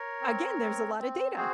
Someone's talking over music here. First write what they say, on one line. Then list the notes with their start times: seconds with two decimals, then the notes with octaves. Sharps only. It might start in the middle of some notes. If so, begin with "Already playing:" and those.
again, there's a lotta data.
Already playing: A#4 C#5
0.21 C4
0.60 C4
0.99 C4
1.37 F#4 G#4 C5